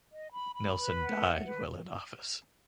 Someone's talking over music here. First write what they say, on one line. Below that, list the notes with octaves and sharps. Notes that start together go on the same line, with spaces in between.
Nelson died while in office.
D#5
B5
B5
B4
F#5
E5
B4